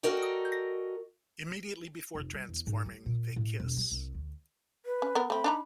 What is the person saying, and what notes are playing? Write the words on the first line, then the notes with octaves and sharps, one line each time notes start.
Immediately before transforming, they kiss.
F#4 A4 A#4 D5 D#5 G5
F1
G3
E2
G#2
G3
A#2
A2
E1
G3
C2
D2
B4
C#4
B3 A#4
A3 C4 B5
D4 D#4 A#5